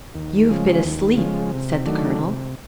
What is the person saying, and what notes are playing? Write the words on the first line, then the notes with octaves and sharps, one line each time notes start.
"You've been asleep," said the colonel.
D#2
C#3 F3 G#3
D#2
C#3 F3 G#3
C3
D#3 F#3 A3 D4
C3